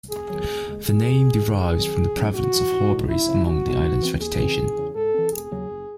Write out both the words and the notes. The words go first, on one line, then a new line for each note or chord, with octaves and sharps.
The name derives from the prevalence of hawberries among the island's vegetation.
E1 G#4
E2 D#3 F#3
E1
D#2 C#3 G#3
E1 G#4
E2 C3
C2
C3 D#3
F#2 G#4
D#3 F#3 C4
A1
G#2 F#3 C#4
G#1 F#4
F#2 E3
A1
A2 G#3
F#1 E4
F#2 C#3
E1 F#4
E2 C#3 G#3
G#2
E3 C4
D#2 G#4
C#3 E3 C4
F#1
E2 C#3
G#2 A4
E3 C4
E1 G#4
D#2 C#3 F#3
F#1